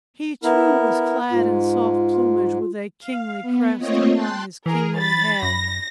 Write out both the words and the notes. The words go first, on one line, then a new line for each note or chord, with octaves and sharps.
He too was clad in soft plumage with a kingly crest upon his kingly head.
B3 E4 A#4
G#2 F4
F5
B3
A3 A#3 C4 F4 C#5 D#5
G5 A5 C6 F#6
E3 G#4 A#4
B5 A6
F#2 A#6